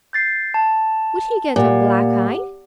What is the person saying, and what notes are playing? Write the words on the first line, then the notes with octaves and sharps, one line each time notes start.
Would he get a black eye?
G6 A6 C7
A5
A#2 G4 F#5